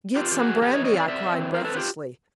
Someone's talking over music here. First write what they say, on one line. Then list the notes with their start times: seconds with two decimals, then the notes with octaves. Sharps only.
"Get some brandy!" I cried, breathlessly.
0.16 C4 F4 G4
0.31 E3 G4
0.39 F#4 G#4
0.47 E3
0.61 E3 G4 A4
0.73 C#5 D#5
0.78 E3
0.84 C#5 D#5
0.93 C4 D5 E5
1.03 F5
1.08 C4 D5 E5
1.23 C4
1.38 E3
1.54 C4 A#4 C5
1.64 C4 A4 B4
1.76 F4 G4